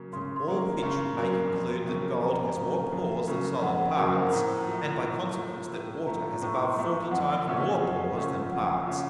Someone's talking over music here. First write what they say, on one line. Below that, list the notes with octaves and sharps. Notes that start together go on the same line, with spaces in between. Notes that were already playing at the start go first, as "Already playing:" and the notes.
From all which we may conclude, that Gold has more Pores than solid parts, and by consequence that Water has above forty times more Pores than Parts.
Already playing: C#3 F#3 A#3
C#3 C6
C6
F#3 A#3 A#5
C#3
F#3 A#3
F2
C#3 F#3 A#3
F2 A#5
C#3 F#3 A#3
F2
C#3 F#3 A#3
F2 F#5
F#5
C#3 F#3 A#3 A5
A#4
C5
A2 A#5
F3 A3
A2
F3 A3
A2
F3 A3 A#5
A2 C#6
C6
F3 A3
F2 F#5
C#3 A3 C#4 F4
F2
C#3 A3 C#4 F4
F2 F#5
C#3 A3 C#4 F4